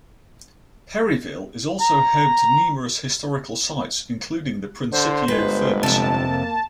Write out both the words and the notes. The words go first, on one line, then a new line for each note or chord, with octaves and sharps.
Perryville is also home to numerous historical sites including the Principio Furnace.
A#5
D3 C5
G1 G#3 B4
F2 C3 A5
A#3